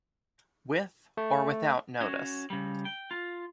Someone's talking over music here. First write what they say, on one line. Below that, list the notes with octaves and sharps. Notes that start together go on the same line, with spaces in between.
With or without notice.
A3
C#4 F#4
C#3 G3
G5
F4